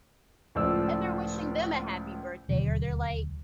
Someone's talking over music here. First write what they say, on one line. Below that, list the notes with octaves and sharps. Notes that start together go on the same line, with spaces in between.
and they're wishing them a happy birthday, or they're, like,
C#2 A2 F3 D5 E6
D#1 D2 B2 F#3